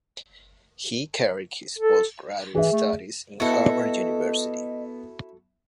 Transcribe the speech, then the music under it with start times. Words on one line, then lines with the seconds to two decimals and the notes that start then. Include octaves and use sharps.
He carried his post-graduate studies in Harvard University.
1.79 A4
2.55 E3 G#4 E5
2.72 A3
3.40 B3 E4 F#4 A4 D#5